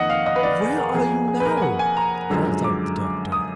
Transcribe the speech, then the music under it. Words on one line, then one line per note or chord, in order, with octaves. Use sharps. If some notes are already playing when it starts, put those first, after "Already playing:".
"Where are you now?" called out the doctor.
Already playing: F2 D#3 A#3 D#5 F#5 D#6
F5
D#5
B4
D5
G#4
A#4
F2 F3 A#3 G#4
G#4
B4
A#4
G#5
F#5
G#5
A#5
F#2 D3 F3 G#3
D6
D#6